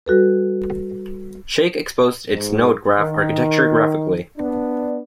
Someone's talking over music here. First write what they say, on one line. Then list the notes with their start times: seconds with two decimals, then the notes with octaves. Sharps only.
Shake exposed its node graph architecture graphically.
0.06 G3 F#4 A4 B4
2.32 G#2
2.98 D#3
4.36 B3 D4